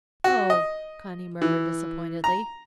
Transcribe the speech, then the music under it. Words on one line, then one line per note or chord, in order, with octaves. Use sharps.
"Oh!" Conny murmured disappointedly.
F#4
D#5
E3
A#5